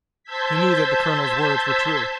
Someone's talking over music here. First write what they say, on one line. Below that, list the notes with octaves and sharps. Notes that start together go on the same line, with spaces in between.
He knew that the colonel's words were true.
C5 A5 E6 G6 G#6 B6